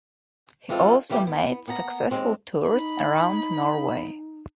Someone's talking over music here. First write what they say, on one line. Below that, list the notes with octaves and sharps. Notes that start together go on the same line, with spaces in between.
He also made successful tours around Norway.
E3 G#3 C4 F4 G#4 A4
C#3 E3 G3 A3 B3 G4
B3
A#3 B3 F#5 G#5 A#5
D#2 G#3 C4
D#4 B5